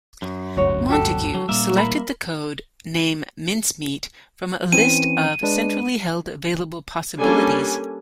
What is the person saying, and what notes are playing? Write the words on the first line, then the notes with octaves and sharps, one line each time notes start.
Montagu selected the code name Mincemeat from a list of centrally held available possibilities.
F#2
D1 G1 D2 F#4 C#5
F#4 G4 A4
F#3
A#2 G3 A#3 E5
A#4 B5
E3 C4 C#4 D#7
G#3 D4 B4
G3 A#3 C#4 D4 A4 G#5